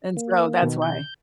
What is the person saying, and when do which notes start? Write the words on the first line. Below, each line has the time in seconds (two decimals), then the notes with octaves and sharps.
and so that's why.
0.17 A#3
0.62 B2 D#3
0.82 G6